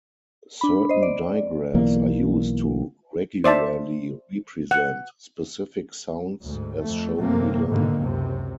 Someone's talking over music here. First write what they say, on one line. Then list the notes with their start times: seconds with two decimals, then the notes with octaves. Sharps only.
Certain digraphs are used to regularly represent specific sounds as shown below.
0.61 D4 B5
0.89 C5 D#5
1.03 D5
1.74 B1 E3 A#3
3.44 C5 D5 E5 A5
4.71 F#5
6.44 D2 G#2
6.81 F2 A3
7.18 F#2 C3 A3 A#3
7.67 G#2 B2 D3 D#3 A#3
7.98 C#2 F#2 C3